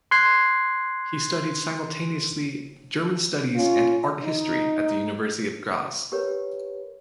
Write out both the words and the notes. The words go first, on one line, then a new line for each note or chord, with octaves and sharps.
He studied simultaneously German studies and art history at the University of Graz.
C6 F#6 G#6 C7
C#4 F4
D#4
G4 A#4 B4 C#5